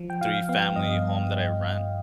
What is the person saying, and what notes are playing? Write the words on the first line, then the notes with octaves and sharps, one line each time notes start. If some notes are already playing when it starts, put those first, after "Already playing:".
three-family home that I rent.
Already playing: F3
G5
F3 F5
B3 F5
G2 D#5